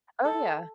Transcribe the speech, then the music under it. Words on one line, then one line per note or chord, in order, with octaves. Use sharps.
Oh, yeah,
A4